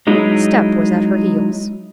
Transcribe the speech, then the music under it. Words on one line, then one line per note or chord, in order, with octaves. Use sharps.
A step was at her heels.
F#3 G#3 D#4 E4